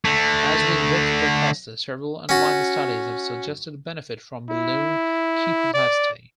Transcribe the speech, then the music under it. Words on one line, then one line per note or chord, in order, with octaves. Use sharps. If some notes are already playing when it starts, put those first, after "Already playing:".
As with vertebroplasty, several unblinded studies have suggested a benefit from balloon kyphoplasty.
D3 A3
C#4 F#4
E4
D5